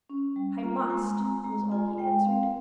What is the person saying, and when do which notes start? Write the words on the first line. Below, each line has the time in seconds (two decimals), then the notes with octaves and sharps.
'I must,' was all he answered.
0.10 C#4
0.36 G3
0.63 F4 A#5
0.77 A#5
0.90 G#3 G#5
1.17 C4 A#5
1.44 G#3 A#5
1.71 F4 G#5
1.98 G#3 G5
2.25 C4 F5